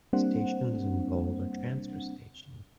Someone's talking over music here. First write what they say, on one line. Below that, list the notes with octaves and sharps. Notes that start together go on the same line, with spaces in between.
Stations in bold are transfer stations.
G3 A#3 C4 D4 C5 F#5